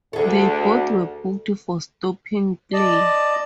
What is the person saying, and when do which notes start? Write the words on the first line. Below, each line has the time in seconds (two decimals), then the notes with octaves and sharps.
They both were booked for stopping play.
0.13 D2 G#4 A4
2.73 D5 D#5 A5